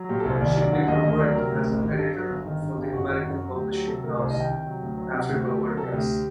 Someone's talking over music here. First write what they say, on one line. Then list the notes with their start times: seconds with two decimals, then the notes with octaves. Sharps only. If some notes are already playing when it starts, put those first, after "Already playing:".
She later worked as an editor for the American publishing house Africa World Press.
Already playing: F#3
0.09 A#2 G4
0.20 A4
0.25 C2 C5
0.41 D#2 D5
0.56 F#3 D5
0.72 D3 F#5
0.83 F#5
0.88 D#2 D#5
1.04 D2 D#5
1.20 F#3 D5
1.35 C3 A#4
1.51 D2
1.67 A1
1.82 D#3
1.93 G4
1.98 G2 A4
2.14 F#3
2.30 G1
2.46 D#3
2.62 G2
2.77 G1
2.83 G4
2.93 F#1 F#4
3.09 D#3
3.24 F#2
3.40 F#3
3.56 D2 G4
3.72 F#3 G4
3.87 C3 A4
4.03 D2 A#4
4.19 C2 C5
4.30 D#5
4.35 D#3
4.40 G5
4.51 C3
4.66 F#3
4.82 D2
4.98 F#3
5.13 C3 F#5
5.29 D2
5.40 F#4
5.45 D2 G4
5.55 A4
5.61 F#3
5.67 A#4
5.76 C3 A4
5.93 D2 G4